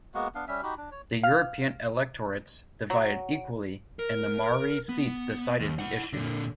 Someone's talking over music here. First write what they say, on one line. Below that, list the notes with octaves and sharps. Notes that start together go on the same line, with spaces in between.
The European electorates divided equally and the Maori seats decided the issue.
G#3 A#3 B3 F#4
B3 D4 F5
G3 C#4 E5
D#4 F#4 G4 B5
D4
C#5
F5 F6
F#3
A#4
B3
D#2
E4 F#5
A#2 D3